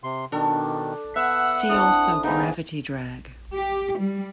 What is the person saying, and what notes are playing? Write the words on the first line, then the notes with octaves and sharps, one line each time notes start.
See also gravity drag.
C3 C6
B2 D#3 D4 A4
B3 E5 F#5 E6 F#6
C4 D4 E4 A4 D#6
G2 C#3 A#3 B3 D#4 G#4
G4
G3